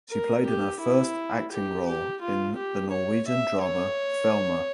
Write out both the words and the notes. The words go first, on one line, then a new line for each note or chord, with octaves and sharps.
She played her first acting role in the Norwegian drama "Thelma".
A#4
G4
E4
G4
G4
F4
G4
C#5
E5
C#5